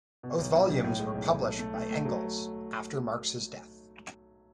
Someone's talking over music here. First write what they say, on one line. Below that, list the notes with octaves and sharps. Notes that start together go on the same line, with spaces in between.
Both volumes were published by Engels after Marx's death.
B2
B1
B1
B1
A2
G#3
B1
B1
A3
A3
A3
A3
F#3